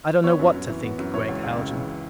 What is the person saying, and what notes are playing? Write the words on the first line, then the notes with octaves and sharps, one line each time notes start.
"I don't know what to think, Gregg Haljan...."
B3 C#5
F#2
F#2
E3
B3
F#2
E3 C#5
C#2
C#2
C#3
E3